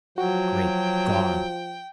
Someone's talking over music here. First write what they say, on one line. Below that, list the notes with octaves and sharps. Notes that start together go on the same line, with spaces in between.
Great God!
F3 F#3 F#4 G5